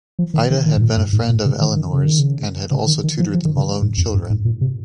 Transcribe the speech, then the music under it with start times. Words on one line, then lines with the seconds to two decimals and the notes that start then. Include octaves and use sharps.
Ida had been a friend of Elinor's and had also tutored the Malone children.
0.19 F3
0.34 D#3
0.50 D#3
0.66 D#3
0.77 G#2
0.81 A#2
0.97 G2
1.13 G#2
1.29 A#2
1.45 C#3
1.61 D#3
1.76 D#3
1.93 C#3
2.06 D#3
2.19 C#3
2.71 C#3
2.87 D#3
3.04 D#3
3.20 F3
3.34 F3
3.45 D#3
3.56 C#3
3.82 G#2
3.97 F2
4.14 G2
4.30 G#2
4.45 A#2
4.61 C3